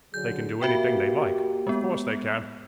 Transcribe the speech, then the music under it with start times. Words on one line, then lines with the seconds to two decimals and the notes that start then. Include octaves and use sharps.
They can do anything they like. Of course they can.
0.14 D3 F#3 G#4 G6
0.61 A#3 F#4 G4 E5 G5
1.67 G#3 B3